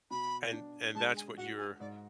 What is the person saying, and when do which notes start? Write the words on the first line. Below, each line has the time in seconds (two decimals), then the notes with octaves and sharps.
and and that's what your
0.11 B2 B5
0.53 D4
0.95 G#3 A5
1.16 G#5
1.37 F#4 F#5
1.58 G#5
1.80 G#2 D5